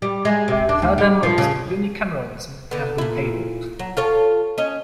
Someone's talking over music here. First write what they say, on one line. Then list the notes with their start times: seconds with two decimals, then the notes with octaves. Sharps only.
Further moves to unicameralism have been tabled.
0.02 G3
0.25 G#3
0.48 C3
0.69 D4
0.82 D2
0.98 G3
1.23 F3
1.38 C#3
2.71 D3 B3
2.98 A#2 E4
3.79 F#3
3.97 F4 A4 C#5
4.58 C#4 D#5